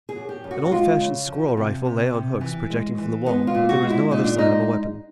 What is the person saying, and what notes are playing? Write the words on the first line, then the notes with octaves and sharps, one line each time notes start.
An old-fashioned squirrel rifle lay on hooks projecting from the wall, but there was no other sign of a weapon.
G#4
F#2
G4
F#2
F#4
F#4
G#3 F4
C#3
F3
C3
C3
C3
E3
G#3
E3
G#3 B3
F4
A#2
F#4
G#3
E4
A#2 D#4
D4
G#3 D#4